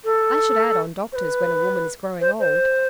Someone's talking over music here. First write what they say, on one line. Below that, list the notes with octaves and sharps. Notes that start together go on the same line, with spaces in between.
I should add on doctors when a woman is growing old.
A4
C5
B4
C5
C5